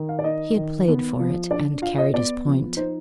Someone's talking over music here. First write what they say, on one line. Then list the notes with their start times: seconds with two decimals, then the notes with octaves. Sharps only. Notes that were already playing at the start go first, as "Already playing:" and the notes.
He had played for it, and carried his point.
Already playing: D#3
0.09 F5
0.19 D5
0.24 D#4 D#5
0.56 D#3
0.88 B3
1.19 F3
1.51 D4 D5
1.82 F4 F5
1.98 D#5
2.14 B3 D5
2.45 F3
2.77 D#4 C5